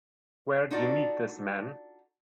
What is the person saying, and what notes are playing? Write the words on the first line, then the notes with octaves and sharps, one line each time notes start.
Where'd you meet this man?
D4 D#4 F4 F#4 A4 D5